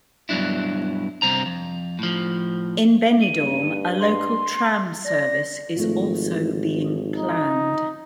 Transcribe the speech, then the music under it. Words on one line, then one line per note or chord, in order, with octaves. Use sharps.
In Benidorm, a local tram service is also being planned.
G2 B2 F3 F#3 D4 E4
G2 C3 C4 A#5
F2
A2 F3
G2 D#7
C6
D5 A#6
G#1 F3 A3
D#4